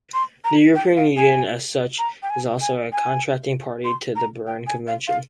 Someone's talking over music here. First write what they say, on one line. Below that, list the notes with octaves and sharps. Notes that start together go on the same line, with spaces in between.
The European Union, as such, is also a Contracting Party to the Bern Convention.
C6
A#5
G5
F5
G#5
A#5
G5
G#5
G#5
G#5
C6
A#5
G5
G#5
F5
F5